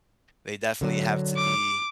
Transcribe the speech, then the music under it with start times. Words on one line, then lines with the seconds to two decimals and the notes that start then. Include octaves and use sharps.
they definitely have to be
0.81 D3 F#3
1.36 D6